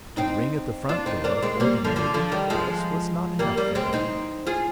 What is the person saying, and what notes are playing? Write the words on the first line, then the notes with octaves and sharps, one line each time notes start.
To ring at the front door of ordinary intercourse was not enough for him.
C4 D#4
D4 F4
C4 D#4
A#3 D4
G#3 C4
G3 A#3
D3 F3
D3 F3
D3 F3
D#3 G3
F3 G#3
G3 A#3
G3 A#3
G#3 C4
C4 D#4
F4 G#4